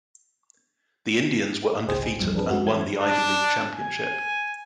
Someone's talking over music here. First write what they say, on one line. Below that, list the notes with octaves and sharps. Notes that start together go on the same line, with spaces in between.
The Indians were undefeated and won the Ivy League championship.
G#1 C#2 G#4 C5 D#5 G5
A#1 E2 G2 F3
C4 D4 G#4 A4 B4
G#3 F#4
E3 C4 A5 G#6
D4
G#5